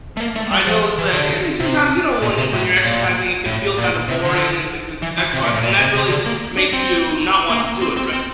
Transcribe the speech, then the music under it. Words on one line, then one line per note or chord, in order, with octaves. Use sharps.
I know that I mean, sometimes, you know, when when you're exercising, it can feel kinda boring and things like that's why and that really makes you not want to do it, right?
A3
A#3
A3
G3
F3
E3
D3
C3
A#2
C3
A2
A#2
A2
A#2
C3
D3
E3
E3
C3
A#2
A2
A#2
C3
C3
D3
A#3
D4
C4
A#3
C4
C4
C4